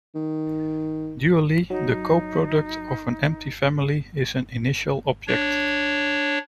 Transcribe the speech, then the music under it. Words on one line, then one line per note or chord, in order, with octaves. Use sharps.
Dually, the coproduct of an empty family is an initial object.
D#3
F#3 D#4
D4 C#5